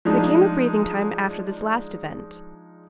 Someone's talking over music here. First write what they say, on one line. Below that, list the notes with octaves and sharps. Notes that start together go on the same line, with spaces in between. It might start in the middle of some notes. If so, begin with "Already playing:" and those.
There came a breathing-time after this last event.
F3 G#3 D4 D#4